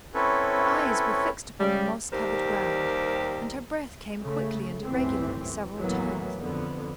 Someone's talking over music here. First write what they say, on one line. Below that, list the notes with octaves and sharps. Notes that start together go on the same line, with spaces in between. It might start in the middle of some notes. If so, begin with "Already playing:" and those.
Her eyes were fixed upon the moss-covered ground, and her breath came quickly and irregularly several times.
C4 C#4 E4 A4 B4 C#5
C#3 G3
D#2 G3 G4 A#4 C5
C#3 A3
G1 C#2 F#2 A2 E3 C4
D#2 A2 E3 F#3 A#3 B3
F2 D3 B3